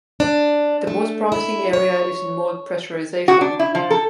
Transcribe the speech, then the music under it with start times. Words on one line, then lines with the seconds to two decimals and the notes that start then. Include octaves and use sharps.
The most promising area is in mold pressurization.
0.20 D4
0.87 A3
1.32 E4
1.73 C#5
3.28 F#4
3.41 D4
3.59 E4
3.75 F3
3.90 A4